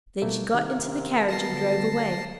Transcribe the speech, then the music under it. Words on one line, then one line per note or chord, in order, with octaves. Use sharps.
Then she got into the carriage and drove away.
C2 B2 A3 A#3
C3 D#3 A#4
B2 A5 A#6 C7
D3